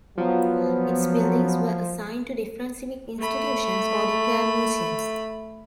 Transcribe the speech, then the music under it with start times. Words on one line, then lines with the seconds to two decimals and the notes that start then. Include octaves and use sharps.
Its buildings were assigned to different civic institutions or declared museums.
0.17 F3 F#3 B3
3.19 A3 B5